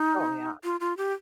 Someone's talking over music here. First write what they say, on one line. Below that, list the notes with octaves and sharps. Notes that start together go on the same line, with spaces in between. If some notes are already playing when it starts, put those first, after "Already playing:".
Oh, yeah.
Already playing: D#4
F4
F4
G4